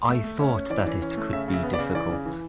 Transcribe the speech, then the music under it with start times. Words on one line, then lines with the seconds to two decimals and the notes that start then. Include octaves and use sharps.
I thought that it could be difficult.
0.09 A3 E5
0.24 A3
0.39 C#4 E5
0.55 C#4
0.70 E3 D5
0.87 E3
1.02 C#4
1.17 A3
1.33 C#3 E5
1.48 C#3
1.54 E5
1.63 B3
1.73 D5
1.79 C#3
1.95 E3 D5
2.10 C#3
2.26 E3